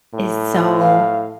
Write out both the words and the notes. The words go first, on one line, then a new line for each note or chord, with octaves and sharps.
is so
A2
F5